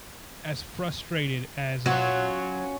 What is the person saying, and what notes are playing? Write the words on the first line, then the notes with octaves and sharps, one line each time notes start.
as frustrated as, um
F#3 C#4 F4 F#4 C#5